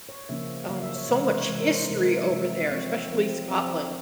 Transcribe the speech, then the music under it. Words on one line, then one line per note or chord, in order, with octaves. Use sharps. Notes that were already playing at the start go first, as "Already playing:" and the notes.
um, so much history over there, especially Scotland
C#5
C#3 F3 A#3 C#4 E5
C#3 F3 A#3 C#4 F5
E5
C#5
C3 E3 G#3 E5
C5
C#5
C3 E3 G#3 E5
A#4
C5
C3 E3 G#3 A#4
A#4
E5
C3 E3 G#3 E5
E5
F3 C4 C#5
E5
F3 C4
F3 C4 E5